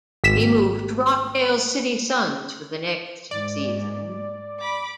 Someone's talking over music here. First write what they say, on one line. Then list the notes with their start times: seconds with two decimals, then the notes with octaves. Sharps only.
He moved to Rockdale City Suns for the next season.
0.24 G#1 B6 E7
3.31 G#2 D5
4.59 B5 D6